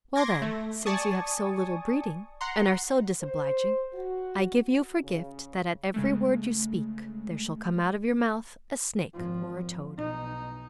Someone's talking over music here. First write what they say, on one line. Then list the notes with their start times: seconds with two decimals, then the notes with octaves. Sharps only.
"Well then, since you have so little breeding, and are so disobliging, I give you for gift, that at every word you speak there shall come out of your mouth a snake or a toad."
0.16 C6 D6 G#6 A#6
0.42 A3
0.86 D5 G#5 A5 C#6 D#6
2.41 F#5 A#5 C6
3.22 C5
3.94 F#4
5.04 C#3
5.94 C#3 G#3 A3
9.14 G#1 F3
9.96 B1 D#4